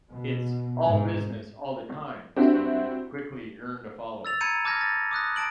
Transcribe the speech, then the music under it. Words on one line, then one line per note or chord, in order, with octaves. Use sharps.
Its "All Business All The Time" slogan quickly earned a following.
B2
G#2
C4 D4 E4 F#4 G4
E6 A6 F7
A#5 B5 G6 G#6 C#7 D#7
A5 D6 F6 G6 G#6 A#6
A6 A#6
D6 D#6 F#6 A#6
A5 D7 F#7